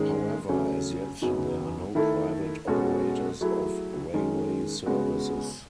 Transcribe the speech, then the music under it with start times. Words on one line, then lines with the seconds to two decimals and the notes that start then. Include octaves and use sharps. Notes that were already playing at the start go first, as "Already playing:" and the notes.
However, as yet there are no private operators of railway services.
Already playing: G#2 D#3 G#3 C#4 G#4
0.48 C#3 F#3 A3 C#4
1.22 F#2 C#3 F#3 B3 D#4
1.95 D#3 A3 E4 A4
2.67 B2 G#3 C#4 F#4 A4
3.41 F#3 A3 E4 G#4
4.14 D#3 G#3 C#4
4.86 C#3 G#3 B3 F#4